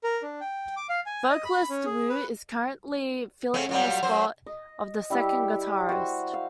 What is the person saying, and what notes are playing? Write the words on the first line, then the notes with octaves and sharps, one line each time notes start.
Vocalist Wu is currently filling the spot of the second guitarist.
A#4
D4
G5
D6
F5
G#5
D#5
B5
C#4
G#4
B4
C#3 A3 C#4
A#2 F#3 G3
F#2 C5
D#5
G3 E4 G4
F#4 C5
F5